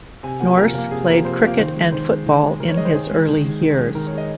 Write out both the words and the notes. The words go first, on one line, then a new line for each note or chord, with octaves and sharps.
Nourse played cricket and football in his early years.
C3 G#5
F3 A#3 F#5
C3 A#4
F3 A#3 A#4
C3 G#4
F3 A#3 A#4
C3 C5
F3
A#3
D#3 C5
G#3
D#3 C5
G#3
D#3
G#3
D#3 A#4
C#5
G#3 D#5
C5
D#3 G#4
G#3
D#3
G#3
D#3
G#3
D#3 A#4
C#5
G#3
D#5